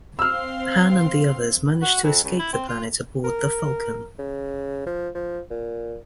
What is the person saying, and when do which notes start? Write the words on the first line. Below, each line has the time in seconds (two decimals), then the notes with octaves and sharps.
Han and the others manage to escape the planet aboard the "Falcon".
0.19 C4 F5 C6 E6 F6
1.82 F#4
2.03 F2
2.23 C#2
2.39 E4
2.53 C4
2.68 F4
3.24 A#4
4.19 C#3
4.86 F3
5.14 F3
5.50 A#2